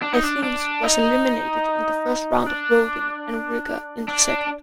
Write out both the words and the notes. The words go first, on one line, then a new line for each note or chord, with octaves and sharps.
Athens was eliminated in the first round of voting and Riga in the second.
D4
D#4
D4
D4
D#4
D4
D4